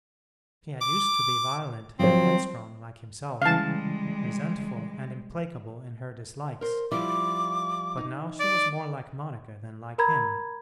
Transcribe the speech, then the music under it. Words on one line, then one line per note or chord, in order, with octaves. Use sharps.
She had used to be violent and headstrong like himself, resentful and implacable in her dislikes, but now she was more like Monica than like him.
D6
F3 F#3 C4 C5
C#3 E3 G3 G#3 F5 A5
A#4 C5
F3 G3 E4 D6
D#4
D5
A#4 A#5 B5 G#6